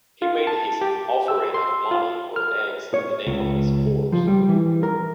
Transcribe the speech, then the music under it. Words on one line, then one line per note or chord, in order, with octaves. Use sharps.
He made his offering of money or eggs in the name of his horse.
F4
A5
G4
E6
C6
F4
F6
C#5
C#2
F3
G3
E3
A#4